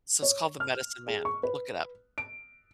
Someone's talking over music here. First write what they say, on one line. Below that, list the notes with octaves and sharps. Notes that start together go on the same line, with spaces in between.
So it's called The Medicine Man- look it up.
C#5
F6
G#4
C#6
B4
D7